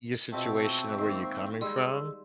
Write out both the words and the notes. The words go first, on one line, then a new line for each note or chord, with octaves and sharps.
your situation and where you're coming from,
B2 C4 F4 G#4 E5 A5 C#6
G#2 D#3 A#3 C5
G3 G#3 D#4 G#4 C6 E6